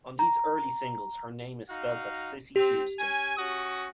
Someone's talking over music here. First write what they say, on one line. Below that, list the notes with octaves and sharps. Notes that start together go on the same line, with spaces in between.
On these early singles her name is spelt as Sissie Houston.
A#5
D#4 F#4 F5
C4 G4
C#4 G#5
C#4 F#4 D#6